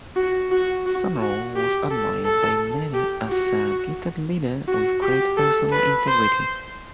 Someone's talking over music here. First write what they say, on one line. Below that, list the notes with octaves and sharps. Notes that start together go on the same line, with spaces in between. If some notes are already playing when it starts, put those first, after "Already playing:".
Summerall was admired by many as a gifted leader with great personal integrity.
F#4
F#4
F#4
F#4
G4
A4
A4
G4
F#4
F#4
G4
A4
B4
C5